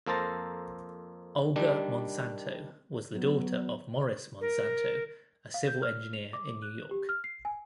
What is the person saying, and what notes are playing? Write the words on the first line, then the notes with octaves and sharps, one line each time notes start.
Olga Monsanto was the daughter of Morris Monsanto, a civil engineer in New York.
F2 A#3 A4 C5 A5 A#5
D#3 G3 D4
F#3 B3
A#4
F5
G6
F6
F7
D6
F#6
G4
F6
C7
G#5